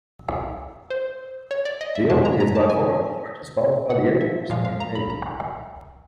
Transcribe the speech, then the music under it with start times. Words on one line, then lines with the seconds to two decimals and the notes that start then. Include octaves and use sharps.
The Army is by far the largest, followed by the Air Force and Navy.
0.90 C5
1.51 C#5
1.65 D5
1.81 D#5
1.95 E5
2.10 E2 B2 G#3 A5
2.25 A#5
2.40 A#5
2.55 A5
2.70 G#5
3.90 F#5
4.21 E5
4.50 A#2 F3 G#3 F5
4.65 F5
4.80 A#5
4.95 B5
5.10 A#5